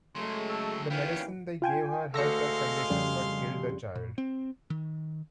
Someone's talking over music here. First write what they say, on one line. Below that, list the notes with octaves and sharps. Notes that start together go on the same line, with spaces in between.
The medicine they gave her helped her condition but killed the child.
C#3 F#3 G#3 A3 C6
A4
D#2 A#2 E3 B3 C#4 F5 G5
F4 G5 G#5
D2 D3 G#3 F5 C6 E6 A#6 C#7
F2 C#3 G3
A#2
C4
D#3